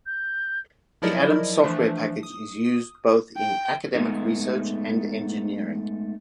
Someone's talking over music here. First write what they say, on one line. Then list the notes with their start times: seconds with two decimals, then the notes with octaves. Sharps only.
The Adams software package is used both in academic research and engineering.
0.06 G6
1.02 F3 F#3 E4 A#4 D5 D#5
1.63 E3 F3 A3 D4
2.23 D#6
3.38 G5
3.95 G#3 A3 B3 D#4